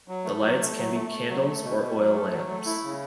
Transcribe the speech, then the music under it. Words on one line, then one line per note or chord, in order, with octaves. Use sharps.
The lights can be candles or oil lamps.
F#3
A3
F#3
A3
F#3
A3
A3
F#3
A3
B2
B2
F#3
A3
F#3
A3
E4
C#3